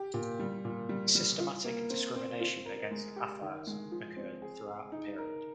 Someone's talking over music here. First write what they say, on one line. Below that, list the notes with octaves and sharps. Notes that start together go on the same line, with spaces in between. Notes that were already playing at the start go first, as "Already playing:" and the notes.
Systematic discrimination against Afars occurred throughout the period.
Already playing: G4
A#2
G3
A#2
G3
G3
F4
A#3
C4
C4
F4
A#4
G#3
G4
D#3
G#3
F3
C4
G#4
G#4
D#4
A#4